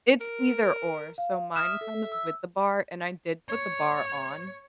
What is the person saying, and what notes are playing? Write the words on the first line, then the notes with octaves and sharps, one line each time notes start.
It's either-or, so mine comes with the bar, and I did put the bar on
A#4
F5
E5 D#6 F6 E7
A4
E6
C#5